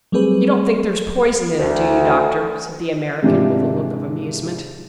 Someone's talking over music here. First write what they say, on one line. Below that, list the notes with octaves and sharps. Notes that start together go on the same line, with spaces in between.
"You don't think there's poison in it, do you, doctor?" said the American, with a look of amusement.
F#3 G3 A3 C4 G#4 B4
D2
G#2 C3 E3 D4 F4 G4